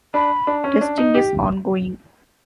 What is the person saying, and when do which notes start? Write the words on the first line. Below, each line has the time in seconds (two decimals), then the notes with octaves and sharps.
Testing is ongoing.
0.14 D4 B5
0.47 D4
0.64 C#4
0.81 D4
0.98 D#4
1.15 G4